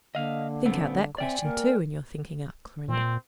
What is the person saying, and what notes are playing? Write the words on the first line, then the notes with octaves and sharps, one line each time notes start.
"Think out that question, too, in your thinking out, Clorinda."
D3 A#3 D#5 F5
A#2 G3 B3 C4
C4 D5 E5 G5 G#5
A#3 A#4
A#2 C4